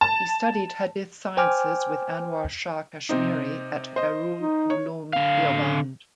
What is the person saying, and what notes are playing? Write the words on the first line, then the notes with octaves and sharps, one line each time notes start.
He studied hadith sciences with Anwar Shah Kashmiri at Darul Uloom Deoband.
A5
C5 G5 G#5 D6 F6
C3 C4 D#4
C5 D#5
D#4
C#5
D3 F5